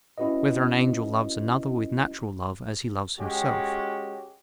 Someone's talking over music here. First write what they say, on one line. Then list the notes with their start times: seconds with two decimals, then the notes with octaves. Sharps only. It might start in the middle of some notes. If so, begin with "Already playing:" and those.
Whether an Angel Loves Another with Natural Love As He Loves Himself?
0.18 C#4 E4 F#4 B4 D#5
3.20 G#3 C#4 F#4 G4